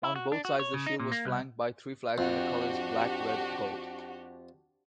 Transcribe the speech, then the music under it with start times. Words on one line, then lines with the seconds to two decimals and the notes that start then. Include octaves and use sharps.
On both sides the shield was flanked by three flags with the colours black-red-gold.
0.03 E4
0.16 F#4
0.32 D4
0.45 F#4
0.59 C#5
0.74 C#3
0.86 D#4
1.00 A#2
1.12 A#3
1.25 C2
2.18 F2 D4 F#4 G4